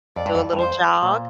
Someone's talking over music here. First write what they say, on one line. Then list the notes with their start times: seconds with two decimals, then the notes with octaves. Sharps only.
Do a little jog.
0.16 F2 D5
0.26 G2
0.35 F2
0.53 G2
0.59 F2 C5
1.03 A#2